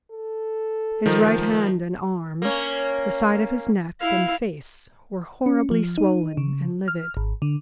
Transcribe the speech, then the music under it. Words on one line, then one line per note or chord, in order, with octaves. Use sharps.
His right hand and arm, the side of his neck and face were horribly swollen and livid.
A4
D#3 F3 D#4
A#3 C#4
E4 F5
C#4
F3
D#4
C#3
F6
G#1
D3